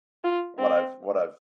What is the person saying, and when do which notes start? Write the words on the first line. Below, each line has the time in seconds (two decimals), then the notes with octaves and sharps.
what I've what I've
0.24 F4
0.58 C4